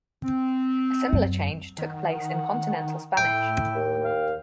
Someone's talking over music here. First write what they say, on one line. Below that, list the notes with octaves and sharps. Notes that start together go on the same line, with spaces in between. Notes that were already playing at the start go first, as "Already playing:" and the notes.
A similar change took place in continental Spanish.
C4
F#2
D#3 F#5
A2 E4 G5
D#2
F5